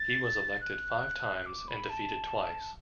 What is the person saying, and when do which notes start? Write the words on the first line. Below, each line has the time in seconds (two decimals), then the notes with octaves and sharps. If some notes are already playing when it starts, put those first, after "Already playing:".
He was elected five times and defeated twice.
Already playing: A6
0.61 F#6
1.46 D6
1.68 B5
1.90 A5